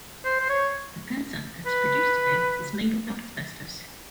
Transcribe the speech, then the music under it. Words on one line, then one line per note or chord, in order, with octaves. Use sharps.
The transite that is produced today is made without asbestos.
C5
C5
C#5
B4